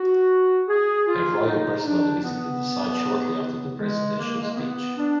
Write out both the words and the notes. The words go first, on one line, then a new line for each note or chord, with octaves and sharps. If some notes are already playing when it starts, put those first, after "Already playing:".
Arroyo personally visited the site shortly after the presidential speech.
Already playing: F#4
G#4
F4
D#4
D4
B3
G#3
A#3
G#3
A#3
B3
D4